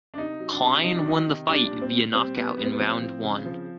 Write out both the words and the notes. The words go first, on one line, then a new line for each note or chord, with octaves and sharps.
Klein won the fight via knockout in round one.
D4
C3 D#4
F#3
D4
C3
F#3 D#4
D4
D#3 D#4
C3
G3 D4
D4
A#2
C4
A#2
G3 C4
G3 B3
G3 B3
C4
B3
F3 C4
F3
C#3
F3